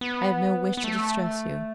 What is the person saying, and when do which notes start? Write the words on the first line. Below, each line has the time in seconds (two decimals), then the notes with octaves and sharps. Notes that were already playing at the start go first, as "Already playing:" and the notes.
I have no wish to distress you.
0.01 B3
0.77 B3
0.84 A3